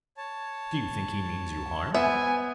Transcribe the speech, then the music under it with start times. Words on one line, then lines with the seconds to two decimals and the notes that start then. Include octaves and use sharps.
"Do you think he means you harm?"
0.17 C#5 A5
1.94 B3 C5 E5 G#5